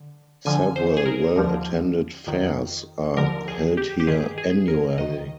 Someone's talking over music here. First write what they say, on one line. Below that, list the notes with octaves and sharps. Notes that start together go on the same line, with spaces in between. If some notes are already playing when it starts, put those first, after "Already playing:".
Several well-attended fairs are held here annually.
Already playing: D3
D2 D3 F3 G#5
C5
G#4
A#4
D#2 D3 F3
F2 D#3
D#2 D3 F3 A#4
G#4
G4
G4
G2 D#3 G#4
G#4
A#4
D#2 D#3 D#5